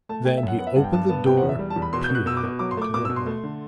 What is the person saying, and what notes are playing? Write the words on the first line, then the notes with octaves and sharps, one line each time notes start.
Then he opened the door and peered out into the hall.
A3 A5
A3 G5
E5
F#2
F#5
B3 F#5
E5
G2 F#5
G5
G2 A5
B3 A5
B2 G5
F#5
E2
E5
G3
A5
E2
B5
B2 C6
G6
B2
F#6
B2 E6
D6
B2
F#3 D6
C6
A3 D6
B2 D6
E6
B2
C6
A3
D3